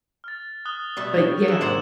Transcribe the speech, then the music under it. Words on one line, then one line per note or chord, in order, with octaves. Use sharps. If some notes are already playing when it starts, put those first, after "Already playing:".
but yeah,
F6 A6
D#6 F#6 G7
B2 G3 A3
D4 G4 C#5
F#3 E6 F#6 E7
G#1 G#3 A#3 C5 C#7 E7 F#7